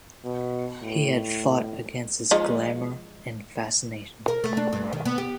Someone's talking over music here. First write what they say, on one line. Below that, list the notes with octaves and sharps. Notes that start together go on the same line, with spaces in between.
He had fought against his glamour and fascination.
B2
A2
F3 G#3 D#4
A#4
A3
D4
G2
D#3
B3
G4